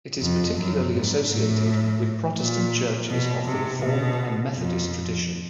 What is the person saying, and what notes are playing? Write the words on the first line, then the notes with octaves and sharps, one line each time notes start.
It is particularly associated with Protestant churches of the Reformed and Methodist tradition.
F2
F#2
G#2
A2
A#2
B2
C3
B2
F2